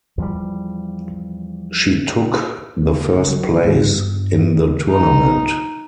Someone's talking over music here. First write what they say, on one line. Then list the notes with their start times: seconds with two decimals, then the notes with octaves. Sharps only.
She took the first place in the tournament.
0.18 E2 F3 G3
3.13 F#1
3.27 D3 F#3
3.63 G#2 F3
3.83 G1 G2
4.88 D#4